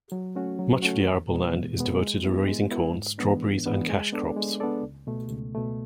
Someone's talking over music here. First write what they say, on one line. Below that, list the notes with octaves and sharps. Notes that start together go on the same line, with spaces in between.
Much of the arable land is devoted to raising corn, strawberries and cash crops.
F#3
A3 C#4 F#4
F#3
A3 C#4 F#4
E2
B2 G#3 B3
E2
B2 G#3 B3
G#3
B3 E4
G#3
B3 E4
G#2
E3 G#3 B3 D4
G#2
E3 G#3 B3 D4
G#3
B3 D4 A4 D5
G#3
B3 D4 A4 D5
C#2
B2 A3
C#2
B2 A3